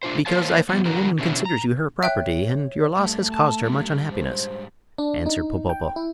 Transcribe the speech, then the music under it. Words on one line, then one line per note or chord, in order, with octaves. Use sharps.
"Because I find the woman considers you her property, and your loss has caused her much unhappiness," answered Popopo.
A3 D4 F4 C5
A#3 A#4 C5 C#5 F5 A5
F3 B3
E2 D3 F3 F#4 A#4 A#5
B2 D3 C#4 E4
A#5
C#5 E5 G5 F#6
G2 A3
A5
G#2 G3
C5
D4
D#4
G5
E4